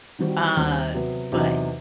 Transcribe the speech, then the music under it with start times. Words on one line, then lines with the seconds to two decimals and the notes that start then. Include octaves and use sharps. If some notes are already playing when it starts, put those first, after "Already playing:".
uh, but,
0.19 D#3 G3 C4 F#4
0.57 D#2 D#3 G3 C4
0.94 C3 F#3 B3
1.32 E2 C3 F#3 B3 D#4